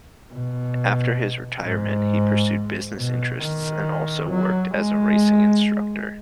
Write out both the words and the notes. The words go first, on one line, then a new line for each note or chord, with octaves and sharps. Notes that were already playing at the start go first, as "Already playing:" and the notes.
After his retirement, he pursued business interests and also worked as a racing instructor.
B2
G#2
B2
D#3
F#3
G#3